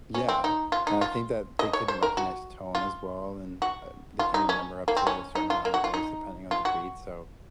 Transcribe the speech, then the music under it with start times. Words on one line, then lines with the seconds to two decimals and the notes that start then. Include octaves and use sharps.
Yeah, and I think that they can recognize tone as well, and, uh, they can remember up to a certain amount of words depending on the breed, so,
0.14 C#4
0.28 C4
0.44 D#4
0.72 F4
0.87 D#4
1.01 F4
1.59 D#5
1.73 C#5
1.88 C5
2.03 A#4
2.17 F#4
2.75 F4
3.62 F#4
4.19 F4
4.34 D#4
4.49 C#4
4.88 A#3
4.97 C4
5.07 C#4
5.35 D#4
5.50 F4
5.65 A#3
5.74 F#4
5.84 F4
5.94 D#4
6.51 F4
6.65 F#4